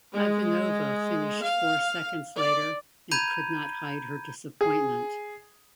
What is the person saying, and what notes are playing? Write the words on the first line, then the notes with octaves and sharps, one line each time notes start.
Ivanova finished four seconds later and could not hide her disappointment.
G#3
F5
D5
A#5 B5 G6 G#6 D#7
G#4